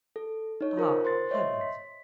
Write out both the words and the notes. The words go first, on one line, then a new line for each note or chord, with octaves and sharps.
'Ah, heavens!
A4
D#4 C#5
F4 A#4 C5
C5 C6 A6
C#5 D#5 E5 C6
B6